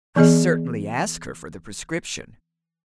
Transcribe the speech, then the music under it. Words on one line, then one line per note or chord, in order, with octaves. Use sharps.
I certainly asked her for the prescription.
E3 B3 G#4 D#5